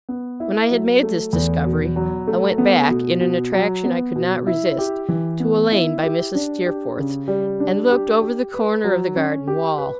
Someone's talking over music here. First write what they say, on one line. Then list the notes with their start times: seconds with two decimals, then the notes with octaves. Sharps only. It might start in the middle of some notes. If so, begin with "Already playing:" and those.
When I had made this discovery, I went back, in an attraction I could not resist, to a lane by Mrs. Steerforth's, and looked over the corner of the garden wall.
0.09 B3
0.40 E4
0.71 F#3
1.03 A3
1.33 E2
1.65 B2
1.96 F#3
2.27 A3
2.58 B3
2.89 B2
3.21 B2
3.53 F#3
3.85 B3
4.16 B2
4.47 E4
4.78 G4
5.09 E3
5.40 B3
5.72 E4
6.04 G4
6.35 D4
6.66 G4
6.97 C#3
7.28 G3
7.60 D4
7.90 G4
8.22 G4
8.54 B4
8.84 F#3
9.16 C#4
9.48 G4
9.78 B4